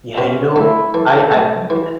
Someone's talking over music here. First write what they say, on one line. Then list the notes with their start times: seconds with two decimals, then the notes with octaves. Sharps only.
Yeah, you know, I I think that, uh
0.18 B2 C#4
0.56 A3 E4
0.94 E3 A4
1.31 A3
1.70 E3